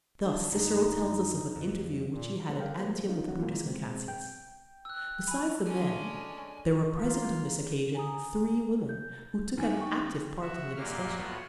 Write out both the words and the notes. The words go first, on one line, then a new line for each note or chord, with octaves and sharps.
Thus, Cicero tells us of an interview which he had at Antium with Brutus and Cassius. Besides the men, there were present on this occasion three women, who took an active part in the discussion.
D4
F#2 D3 D#4
F2
A#2
G3 G#3 B3 D4 A4 C5
A4 A#4 F5 G5
F3 G3 A#3 G#4 C5
A3 C#4 D#4 F4
F#3 A#3 C#4 F#4
B2 D#3 F#3 G#3 A#3
B2 G#3 C4
G5
E6 F#6
G#5 B5
G#3 C#4 D4 A4 D5 G#5
E3 A#3 F4
G#5 A#5 D#6
G6
D#2 E4 G#5
G5 C#6
F#4 E5
F#2 A#2 A#3 G4 F6
A2 B3 F4 F#4